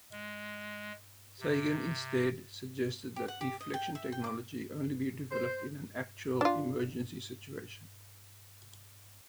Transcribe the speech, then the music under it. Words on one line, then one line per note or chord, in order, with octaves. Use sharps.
Sagan instead suggested that deflection technology only be developed in an actual emergency situation.
G#3
C3
G4
F#5
G4
D#5
G5
E5
G5
D6
C5
D4 F4